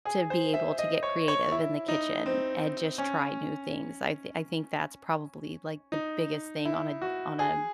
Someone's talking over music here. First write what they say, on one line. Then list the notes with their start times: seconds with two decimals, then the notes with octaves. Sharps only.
to be able to get creative in the kitchen and just try new things, I've I think that's probably, like, the biggest thing on a on a
0.05 G#4
0.30 C5
0.54 E5
0.79 D#5
1.03 C#5
1.28 C#5
1.52 E4
1.88 D#4
2.26 C4
2.98 C#4
5.92 D#4
6.65 E4
7.02 F#4
7.39 G#4